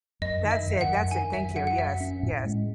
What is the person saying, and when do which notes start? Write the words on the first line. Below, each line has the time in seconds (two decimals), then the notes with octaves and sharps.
That's it. That's it, thank you. Yes, yes.
0.21 F#2 D#5
0.44 D#3
0.51 E5
0.67 F#2
0.81 F#5
0.89 F#2
1.11 D#3 G#5
1.33 F#2 E5
1.56 F#3 F#5
1.67 F#5
1.78 F#2 E5
2.00 C#4
2.23 A2
2.45 G#3